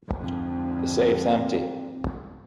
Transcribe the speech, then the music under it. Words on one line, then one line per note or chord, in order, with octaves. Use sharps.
The safe's empty.
F2 G#2 D3 C4